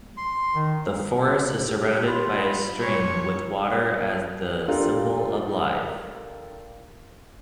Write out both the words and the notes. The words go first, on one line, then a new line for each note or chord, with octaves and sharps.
The forest is surrounded by a stream, with water as the symbol of life.
C6
D#3
G4
F4 B5
A#2 C#5
D4 F4 G4 A4 A#4